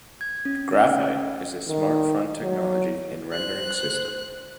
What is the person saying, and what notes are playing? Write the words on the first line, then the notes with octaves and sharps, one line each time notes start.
Graphite is a smart-font technology and rendering system.
G#6
C#4
D#3
F#3
C5 F#6